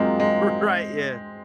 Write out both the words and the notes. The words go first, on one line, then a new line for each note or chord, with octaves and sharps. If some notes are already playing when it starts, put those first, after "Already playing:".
R right, yeah.
Already playing: F#3 G#3 A#3 C4 F4 G#4
G#3